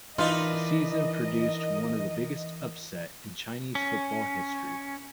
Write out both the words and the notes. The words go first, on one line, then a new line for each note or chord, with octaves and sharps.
The season produced one of the biggest upset in Chinese football history.
E3 D4 D#4 F4 A#4 B4 D#5
C#4